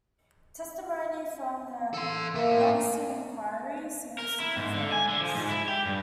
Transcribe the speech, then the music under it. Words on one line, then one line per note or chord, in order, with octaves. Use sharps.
Testimony from the Leveson Inquiry seems to confirm this.
A4 C6
A2 A#3 E5
A#4
E4
G#2
D3
G#5
D3
F3
G#2
E4
G4
G2